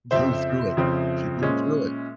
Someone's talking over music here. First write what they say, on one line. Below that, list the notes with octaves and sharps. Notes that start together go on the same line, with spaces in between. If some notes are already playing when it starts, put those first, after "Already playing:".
Blew through it. She blew through it.
F2 C#3 F3 C4 C5 E5
F2 C#3 F3 C4
A#2 G#3 C#4